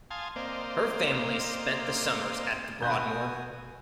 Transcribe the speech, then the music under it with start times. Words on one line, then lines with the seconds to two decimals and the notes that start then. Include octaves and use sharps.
Her family spent the summers at The Broadmoor.
0.11 F5 G#5 A5 C6 D#6
0.36 A#3 C4 C5 D5 D#5 F5
2.82 B2 F#4 G#5 B5 D#6 F#6 G6